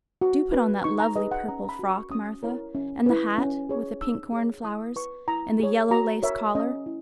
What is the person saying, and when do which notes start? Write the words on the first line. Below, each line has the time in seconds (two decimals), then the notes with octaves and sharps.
Do put on that lovely purple frock, Martha, and the hat with the pink cornflowers, and the yellow-lace collar.
0.21 F#4
0.52 B4
0.84 D#4 C#6
1.00 A#5
1.16 G#4 B4 D#5
1.31 F#5
1.48 C#4 A#5
1.64 A#5
1.69 B5
1.79 F#4 A#4
1.90 C#6
2.11 C#4 D#6
2.43 E4 A#4 C#5
2.75 C#4
3.06 E4 B4
3.38 C#4
3.69 G#4 C#5
4.01 D#4 E6
4.32 G#4 C#5
4.64 E4 D#6
4.96 B4 C#6
5.28 E4 A#5
5.60 G#4 C#5
5.91 F#4 A#5
6.23 A#4 C#5 E5
6.55 C#4 D#5
6.86 E4